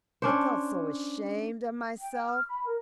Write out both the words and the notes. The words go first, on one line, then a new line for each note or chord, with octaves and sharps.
I felt so ashamed of myself.
C#4 D4 C5
G5
F6
B5
A#4